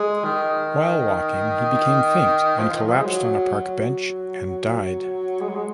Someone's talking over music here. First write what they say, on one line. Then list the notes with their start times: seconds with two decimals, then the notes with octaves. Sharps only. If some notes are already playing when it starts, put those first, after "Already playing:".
While walking he became faint and collapsed on a park bench and died.
Already playing: G#3
0.24 D#3
2.59 F3
2.71 D#3
2.82 F3
2.97 G#3
3.05 F#3
3.53 F#3
5.41 G#3
5.48 F#3
5.55 G#3